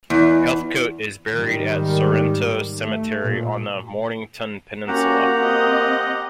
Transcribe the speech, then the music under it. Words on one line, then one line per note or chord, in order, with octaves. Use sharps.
Heathcote is buried at Sorrento Cemetery on the Mornington Peninsula.
E2
G#2 D#3 G3
A3
A#2
A#3 C#4 F#4 G4 F#5 A#5
C4 D#5